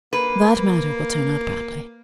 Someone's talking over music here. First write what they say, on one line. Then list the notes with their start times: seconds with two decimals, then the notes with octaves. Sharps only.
That matter will turn out badly.
0.13 A#3 B4